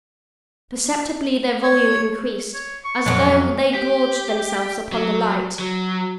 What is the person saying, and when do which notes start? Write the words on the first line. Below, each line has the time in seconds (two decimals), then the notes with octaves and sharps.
Perceptibly their volume increased--as though they gorged themselves upon the light.
1.63 C#5
2.54 C#5
2.85 C#6
3.06 F2 F#3
3.75 G4
4.92 F#3
5.59 F#3